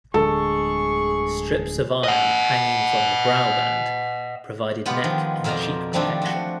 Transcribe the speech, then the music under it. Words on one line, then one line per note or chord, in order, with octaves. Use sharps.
Strips of iron hanging from the brow band provided neck and cheek protection.
D1 D3 G#3 G#4 A4 C#6
D#5 F#5
G#3 B3 F4 G4 F#5 B5
D#3 F3
F2 B2 A#4 C5 D5 A#5
D#3 F3 G3 A3 C4 D4
F3 F#4